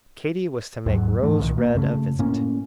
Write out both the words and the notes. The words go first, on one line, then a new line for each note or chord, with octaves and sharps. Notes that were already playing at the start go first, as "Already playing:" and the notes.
Katy was to make Rose Red a visit.
D#2 G#2 F#3
G#2 E3 A3
C2 A#2 D#3
A#3
F#2 C#3 A3
A2 A#3 C#4